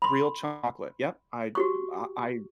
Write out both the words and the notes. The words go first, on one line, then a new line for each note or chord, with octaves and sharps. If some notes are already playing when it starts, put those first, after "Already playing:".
real chocolate. Yep. I I I
B5 C6
F#4 G4 C#6